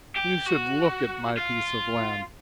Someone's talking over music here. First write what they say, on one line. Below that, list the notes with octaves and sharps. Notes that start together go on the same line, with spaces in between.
You should look at my piece of land.
G4
F#4
F4